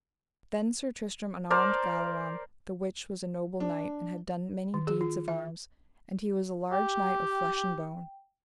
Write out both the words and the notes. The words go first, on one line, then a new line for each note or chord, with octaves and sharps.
Then Sir Tristram unarmed Galleron, the which was a noble knight, and had done many deeds of arms, and he was a large knight of flesh and bone.
A#4 C5 D5
D4
D#3
G#4
F4
E5
G4 G5